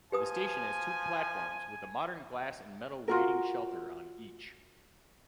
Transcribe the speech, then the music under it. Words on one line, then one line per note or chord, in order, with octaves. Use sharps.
The station has two platforms with a modern glass-and-metal waiting shelter on each.
F3 G4 B4 G#5 D#6
F4 F#4 A#4